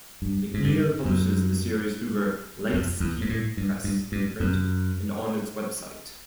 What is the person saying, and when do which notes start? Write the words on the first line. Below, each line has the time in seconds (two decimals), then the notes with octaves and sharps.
McNeil publishes the series through her "Lightspeed Press" imprint and on its website.
0.22 G2
0.54 G#2
0.64 G2
1.05 F#2
2.74 F2
3.00 E2
3.21 G#2
3.29 A2
3.57 G2
3.84 G2
4.12 G2
4.40 F#2